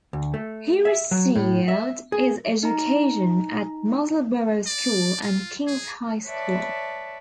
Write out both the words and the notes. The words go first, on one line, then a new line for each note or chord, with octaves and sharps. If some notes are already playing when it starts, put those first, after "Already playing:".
He received his education at Musselborough School and King's High School.
D2
A3
E5
F#3
A2
E5
G#4
D#4 A#5
D5
F4
G#4
B4 C#5 D5 E5 A5